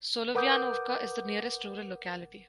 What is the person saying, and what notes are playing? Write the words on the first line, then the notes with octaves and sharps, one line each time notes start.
Solovyanovka is the nearest rural locality.
A#4 B4 F#5 D6 D#6 G6